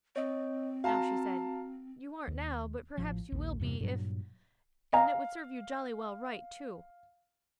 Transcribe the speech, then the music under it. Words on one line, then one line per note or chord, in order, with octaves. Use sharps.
Now she said-- 'You aren't now, but perhaps you will be, if--And it would serve you jolly well right, too.'
C4 C#5 D#5
F#4 F5 A5 A#5
D#2
A1 F3
A#1 D#2
E2 G2 C3
G2 A#2 F#3
D#5 F5 G#5 A#5